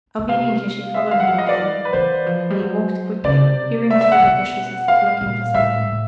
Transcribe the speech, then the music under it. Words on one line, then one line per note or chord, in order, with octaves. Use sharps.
Obediently she followed him again, and he walked quickly, peering through the bushes as if looking for something.
B2
C3 F5
E5
F5
F#3 F#5
F3 F5
D#5
D5
E3
B4
E3 C5
F3
G3
F#3
C#3 D5
C3
E5
E5
F#5
B2
F5
A#2
A2 E5
A2